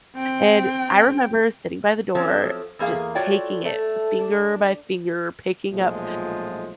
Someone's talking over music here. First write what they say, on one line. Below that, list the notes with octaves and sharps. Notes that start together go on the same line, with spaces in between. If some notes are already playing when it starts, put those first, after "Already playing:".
and I remember sitting by the door, just taking it finger by finger, picking up
C4 G5
F3 F#3 A3 C4 C#4
E2 A#3 G#4 F5
A3 F4 F#4 C#5 D5 G5
A3
D4
B1 A#2 F3 G#3 A3